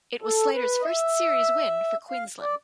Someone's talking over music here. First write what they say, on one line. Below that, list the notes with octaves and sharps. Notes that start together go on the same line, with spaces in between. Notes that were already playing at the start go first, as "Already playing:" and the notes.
It was Slater's first series win for Queensland.
A4
B4
D#5
E5
F5
D5